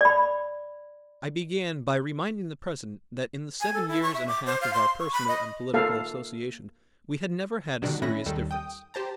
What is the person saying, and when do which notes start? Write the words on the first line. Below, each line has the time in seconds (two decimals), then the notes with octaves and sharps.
I began by reminding the President that in the seven years and a half of our personal and political association we had never had a serious difference.
0.01 D5 B5
3.61 G#5
3.74 A4
3.88 E4
4.03 C#6
4.14 E5
4.28 D6
4.46 C5
4.61 F5
4.74 C6
5.00 C#6
5.12 B5
5.28 D#5
5.74 A#3 A4 F5
7.82 B2 D3 D#3 G3 D4 F#4
8.02 A2 C#4 E5 B5 F#6 A#6
8.26 D#2 D#3 G3 A4
8.51 G5 D#6
8.94 G4 C5 A5 A#5